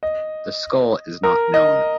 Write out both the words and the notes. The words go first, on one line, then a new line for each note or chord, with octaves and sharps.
The skull is not known.
D#5
A#4
D#5